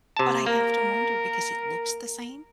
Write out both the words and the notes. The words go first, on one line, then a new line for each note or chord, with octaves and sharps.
but I have to wonder because it looks the same,
C3 A5
A#3 A#4